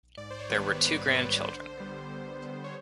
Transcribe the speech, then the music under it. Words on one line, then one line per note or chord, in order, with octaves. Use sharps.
There were two grandchildren.
G#2 D5
C5
C#5
D#3 G3 B3 B4
C5
G#2 B4
D#3 G3 B3
D3 C5
G3 B3
D3
G3 B3
C#5